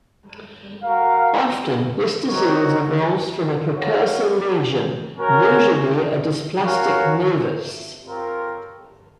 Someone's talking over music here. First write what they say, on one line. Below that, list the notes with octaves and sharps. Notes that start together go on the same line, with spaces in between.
Often, this disease evolves from a precursor lesion, usually a dysplastic nevus.
F#4 A#4 F5
C4 D#4 F#4 A#4 C#5
F#4 C#5 F5
C#4 F#4 A#4 C#5
C#4 F#4 A#4 C#5 F5
C4 F4 A#4 C#5